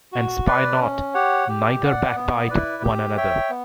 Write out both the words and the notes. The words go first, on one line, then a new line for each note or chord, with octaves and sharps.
And spy not, neither backbite one another.
F#4
B4 D5
C#4
G4 C#5 F#5
G4
D5 F#5
B3
E4 B4 D5
G4
C#5 E5 G5
B3